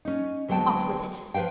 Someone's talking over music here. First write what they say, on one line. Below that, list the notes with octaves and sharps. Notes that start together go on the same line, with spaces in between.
Off with it.
C#4 D#4
D2 F#3 G#3 B3 G5 A5
F3 B4 C5 F5 G5